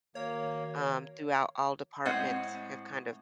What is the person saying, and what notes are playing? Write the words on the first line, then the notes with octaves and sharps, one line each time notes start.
um, throughout all departments have kind of
D#3 A#3 F#4 C#5
A2 G#3 C4 F#5